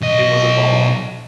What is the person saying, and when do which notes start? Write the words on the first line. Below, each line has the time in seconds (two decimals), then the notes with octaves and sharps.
It was a bomb.
0.01 B1 D#5